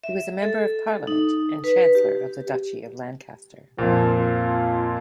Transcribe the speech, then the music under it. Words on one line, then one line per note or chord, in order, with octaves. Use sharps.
He was a member of parliament and Chancellor of the Duchy of Lancaster.
E5
A4
D#4
B4
G4
F2 A#2 F3
F4